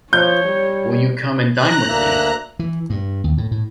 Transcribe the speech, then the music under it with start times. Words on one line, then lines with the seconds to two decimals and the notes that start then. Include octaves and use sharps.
Will you come and dine with me?
0.13 F3 C#5 G6
0.45 G3
1.53 A#5 F#6
1.89 D2 A#3 E5
2.59 E3
2.90 G2
3.24 D#2
3.38 A2
3.51 A2